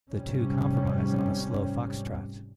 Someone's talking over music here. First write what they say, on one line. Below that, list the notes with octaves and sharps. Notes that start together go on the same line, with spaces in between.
The two compromise on a slow fox-trot.
F1 G#2 C3 G3 C#4